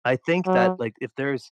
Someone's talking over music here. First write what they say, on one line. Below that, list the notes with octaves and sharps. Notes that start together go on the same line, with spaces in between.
I think that, like, if there's
F#3